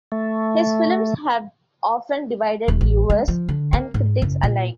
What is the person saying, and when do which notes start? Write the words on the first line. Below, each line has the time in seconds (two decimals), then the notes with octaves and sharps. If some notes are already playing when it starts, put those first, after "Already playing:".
His films have often divided viewers and critics alike.
0.12 A3
2.68 D#1
2.81 A1
3.10 G#3
3.28 F3
3.49 D3
3.73 A#3
3.94 G#2
4.22 F#1
4.43 A#2